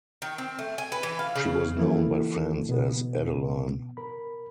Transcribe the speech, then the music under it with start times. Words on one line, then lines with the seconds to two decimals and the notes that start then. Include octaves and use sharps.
She was known by friends as "Adeline".
0.22 D#3
0.38 C4
0.59 A3
0.78 G#5
0.92 B4
1.03 E3
1.19 F5
1.35 C#3
1.77 E3 F3 A#3 E4 A4
2.69 B2 B3
3.97 A#4 B5